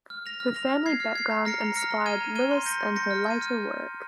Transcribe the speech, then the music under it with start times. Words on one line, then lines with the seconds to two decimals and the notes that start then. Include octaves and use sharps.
Her family background inspired Lewis in her later work.
0.10 F6
0.26 A#6 F7
0.40 F6
0.56 A#6 F7
0.70 F6
0.86 G#6 C7
1.00 F6
1.15 G#6 C7
1.31 A#5
1.45 F6 A#6 C#7
1.61 A#5
1.76 F6 A#6 C#7
1.91 A#5
2.06 F6 G#6 D#7 G7
2.20 A#5
2.35 F6 G#6 D#7 G7
2.51 C6
2.65 G6 A#6 C#7
2.81 C6
2.96 G6 A#6 C#7
3.11 F6
3.26 G#6 D#7
3.41 F6